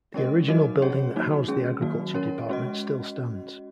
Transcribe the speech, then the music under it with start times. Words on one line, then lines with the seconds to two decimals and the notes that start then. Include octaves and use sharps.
The original building that housed the agriculture department still stands.
0.14 G#3 C#4 A#4 D#5
0.48 F#3 D#4 F#4 A#4 D#5
0.82 C#4 G#4 C#5
1.14 D#3 F#3 A#3 D#4 F#4
1.48 G#3 C#4 G#4
1.81 D#3 F#3 A#3 F#4
2.14 C#4 A#4 C#5
2.49 G#3 C#4 F#4 D#5